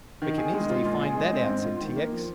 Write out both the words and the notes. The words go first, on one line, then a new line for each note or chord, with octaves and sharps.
"We can easily find that out," said T. X.
D#3
G#4
G#3
F4
A#2
G#4
G#3
C4
G#2
F4
D#3
A#3
F3